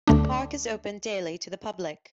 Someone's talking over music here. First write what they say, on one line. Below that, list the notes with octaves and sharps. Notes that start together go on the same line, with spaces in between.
The park is open daily to the public.
D2 D3 A3 D4